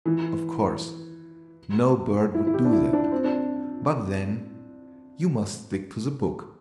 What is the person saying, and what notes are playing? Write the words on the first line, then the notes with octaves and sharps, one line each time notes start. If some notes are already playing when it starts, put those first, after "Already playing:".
Of course no bird would do that, but then you must stick to the book.
E3
E4
E4
G4
D4
E4
D4
C4
D4